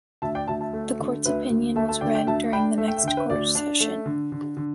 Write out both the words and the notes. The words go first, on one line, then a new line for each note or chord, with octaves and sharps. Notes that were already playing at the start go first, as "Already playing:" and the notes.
The Court's opinion was read during the next Court session.
D2 E5 A5
D5 G5
D2 E5 A5
E5 A5
A3
D3
D2 B4 E5
D2
A3 E5 A5
E5 A5
D3 D5 G5
D5 G5
D2 E5 A5
D4 G5 B5
A3 E5
G5
E5
D3 G5
B4 E5
D2 D5
D4
A3
D3
D3
D3